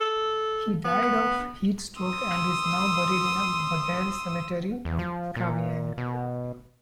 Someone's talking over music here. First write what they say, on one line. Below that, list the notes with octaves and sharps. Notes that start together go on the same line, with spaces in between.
He died of heat-stroke and is now buried in Bagail Cemetery in Kavieng.
A4
B3
C6 D#6 E6
E2
F3
A#2
B2